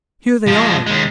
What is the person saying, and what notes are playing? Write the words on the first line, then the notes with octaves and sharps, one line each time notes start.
Here they are.
F3 G#3
D#2 G#3